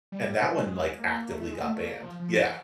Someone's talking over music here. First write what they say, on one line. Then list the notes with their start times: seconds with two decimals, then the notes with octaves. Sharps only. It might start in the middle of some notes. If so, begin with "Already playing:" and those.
and that one, like, actively got banned. Yeah.
0.12 G3
0.29 G3
0.47 G3
0.64 G#3
0.98 A#3
1.34 A3
1.51 G#3
1.62 A#3
1.68 A3
1.85 A#3
2.02 F3
2.20 F3
2.37 E3